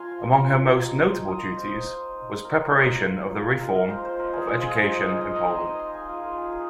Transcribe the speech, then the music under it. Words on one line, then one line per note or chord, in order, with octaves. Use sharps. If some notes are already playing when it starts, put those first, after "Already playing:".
Among her most notable duties was preparation of the reform of education in Poland.
Already playing: F3 F5 G#5 A#5 C6
F4
G#3
G#3 A#5
G#3 C6
D#4 D#6
D#4 C5
D#4
D#4
F4 A#4
A#3
F4
A#3
G#3 A#4
A#4
F4 C5
C5
G#3 A#4
G#4
G#3 F4
G#4
D#4 C5
D#5
D#4 D#5
D#5
G#3 A#5
C6
D#4 D#6
C6
G#3 G#5
F4
D#4 A#4
G#4
G#3 G#4